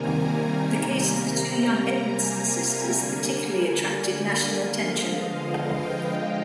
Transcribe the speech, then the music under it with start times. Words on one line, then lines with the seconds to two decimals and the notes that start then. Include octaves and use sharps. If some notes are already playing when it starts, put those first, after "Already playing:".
The case of the two young Edmonson sisters particularly attracted national attention.
Already playing: C3 D#3 G3 A#3 G#5 A#5
0.17 A#5
1.10 C3 G3 A#3
2.03 G#5
2.50 A#5
2.96 D3 G3 A#3 G#5
4.82 D3 F3 G#3 F5
5.13 D#5
5.44 F5
5.75 G5